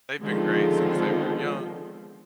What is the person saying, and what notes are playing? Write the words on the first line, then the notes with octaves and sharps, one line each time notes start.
they've been great since they were young
D3 D#3 F3 G#3 B3 C4